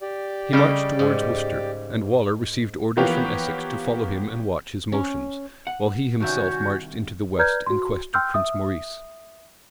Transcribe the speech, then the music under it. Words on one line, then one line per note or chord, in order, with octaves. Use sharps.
He marched towards Worcester; and Waller received orders from Essex to follow him and watch his motions, while he himself marched into the west, in quest of Prince Maurice.
G4 D5
C#3 G3 A4 D#5
G#2
E3 F3 A#3 B3 G4 C#5
C#4
F#5
C2 D#3 C#4 F#4 E5 G6
B4 D5 A#5 F6 G6 G#6
F#4 C6
G5 C6 E6 F6 G6
E5 D#6